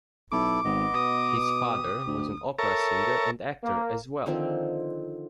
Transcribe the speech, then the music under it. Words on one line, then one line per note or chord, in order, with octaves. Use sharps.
His father was an opera singer and actor as well.
B1 E4 A4 D6
G#1 B3 D#5
B2 D#6
G4
D2
A4 A#4 C#5 E5 A5 A#5
A#3
D3 D#3 F3 C4